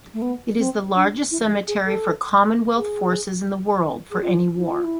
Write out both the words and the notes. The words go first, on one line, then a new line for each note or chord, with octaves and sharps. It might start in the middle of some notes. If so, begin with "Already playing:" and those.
It is the largest cemetery for Commonwealth forces in the world, for any war.
A3
B3
C4
D4
E4
G#4
G#4
A4
G#4
G#4
F4
E4
F4
E4